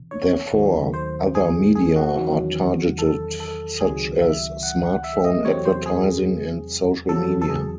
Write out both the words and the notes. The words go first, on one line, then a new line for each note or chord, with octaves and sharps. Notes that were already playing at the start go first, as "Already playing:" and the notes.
Therefore, other media are targeted, such as smartphone advertising and social media.
Already playing: C3 E3
C#5
D#2 D#3 F#3 A3
C5
G#4
G#4
F#4
E2 D#3 F#3 C#4
A4
A4
C#2 C3 D#3 F#3 G#4
E5
F#5
F#5
E5
D#5
E2 C3 F#3 A3 C4 C#5
C5
G#4
E2 C3 F#3 A4
A4
G#4